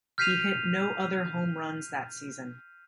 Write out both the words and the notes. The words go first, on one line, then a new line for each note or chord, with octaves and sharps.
He hit no other home runs that season.
F6 G6 B6 C7 D#7 F7